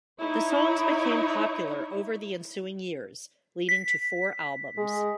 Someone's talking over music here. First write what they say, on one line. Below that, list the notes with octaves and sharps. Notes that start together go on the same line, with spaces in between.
The songs became popular over the ensuing years, leading to four albums.
D#4 E4 C#5
B6
G#3